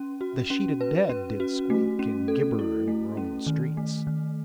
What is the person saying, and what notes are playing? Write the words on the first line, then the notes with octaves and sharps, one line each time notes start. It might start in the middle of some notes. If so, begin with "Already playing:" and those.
"The sheeted dead Did squeak and gibber in the Roman streets."
Already playing: C#4
F#4
C#4
B4
C#4
F#4
A3
C#4
A4
E4
A3
C#4
D#3
A3
D#3